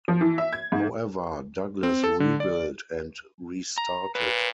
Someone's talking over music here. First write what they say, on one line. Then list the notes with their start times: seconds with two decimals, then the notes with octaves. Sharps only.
However, Douglas rebuilt and restarted.
0.08 F3
0.21 E3
0.38 E5
0.53 G#6
0.72 G#2
1.83 C4
2.04 A4
2.20 D3
2.40 D5
3.78 A#5
4.15 A#2 B4